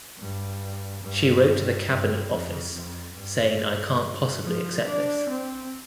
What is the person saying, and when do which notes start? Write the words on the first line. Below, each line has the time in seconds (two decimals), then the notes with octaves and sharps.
She wrote to the Cabinet Office saying I can't possibly accept this.
0.19 G2
1.03 G2
1.89 G2
2.31 F2
2.73 F2
3.16 G2
4.44 F3
4.87 D4
5.29 C4